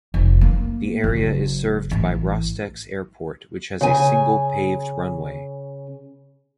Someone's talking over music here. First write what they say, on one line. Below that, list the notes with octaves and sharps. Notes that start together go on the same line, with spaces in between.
The area is served by Rostex Airport, which has a single paved runway.
F1
A#3
F#1
A1
C#3 G#5